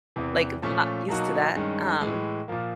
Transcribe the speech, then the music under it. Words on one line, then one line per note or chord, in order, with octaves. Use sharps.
like, I'm not used to that, um,
E2 C3 E3
A#2 F3 A3 C#4
B2 F#3 A#3 D#4 F#4
G2 D#3 G#3 C#4
A2 E3 G#3
A#2 F3 A#3